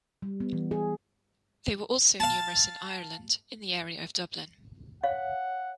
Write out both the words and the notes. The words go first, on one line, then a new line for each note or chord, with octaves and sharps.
They were also numerous in Ireland, in the area of Dublin.
G3
B3
E3
G#4
F5 A5
C#5 F5 F#5